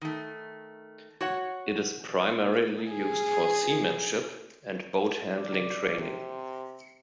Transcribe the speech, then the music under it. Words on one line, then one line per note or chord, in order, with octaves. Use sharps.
It is primarily used for seamanship and boat handling training.
D#3 A3
F#4 C#5 F#5
G#4
D5
C3